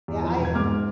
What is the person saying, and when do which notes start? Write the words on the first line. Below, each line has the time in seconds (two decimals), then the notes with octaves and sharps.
Yeah, I
0.08 E2
0.23 F3
0.39 E1
0.45 G#6
0.55 G#2 D6 F6